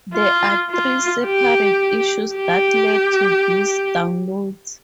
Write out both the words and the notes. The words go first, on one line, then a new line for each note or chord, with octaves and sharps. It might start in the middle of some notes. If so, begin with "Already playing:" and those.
There are three separate issues that led to these downloads.
F4
F4
G4
G4